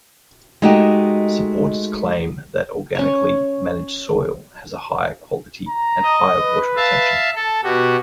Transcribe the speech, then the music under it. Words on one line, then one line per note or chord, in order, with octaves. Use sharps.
Supporters claim that organically managed soil has a higher quality and higher water retention.
G#3 A3 D#4 F#4 G4
C#4 C#5
A#5
D#5
B4
E5 F5 A5
A4 A5
B2 F#4 G4